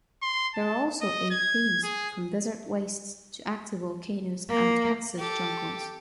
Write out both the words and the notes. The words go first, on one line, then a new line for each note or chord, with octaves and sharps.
There are also eight themes, from desert wastes to active volcanoes and massive jungles.
C6
A5
D#5
G#6
G#4
A#3
G4 A4